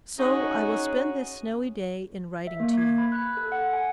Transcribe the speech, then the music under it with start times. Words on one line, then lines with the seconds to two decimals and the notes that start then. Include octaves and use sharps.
So I will spend this snowy day in writing to you.
0.18 C#4 D#4 F#4 G#4
2.47 E5
2.60 A#3
2.77 G#6
2.98 B5
3.12 F#6
3.37 A4
3.52 F#5
3.73 G#5